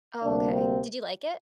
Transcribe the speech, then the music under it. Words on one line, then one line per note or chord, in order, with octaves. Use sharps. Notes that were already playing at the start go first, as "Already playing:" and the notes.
Oh, okay. Did you like it?
D2 C3 G3 A#3 D4
C4